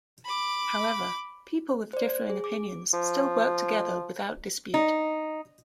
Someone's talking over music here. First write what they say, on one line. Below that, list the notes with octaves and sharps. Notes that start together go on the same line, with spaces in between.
However, people with differing opinions still work together without dispute.
B5 D6
C5 D5
G#4
D6
F3
D#4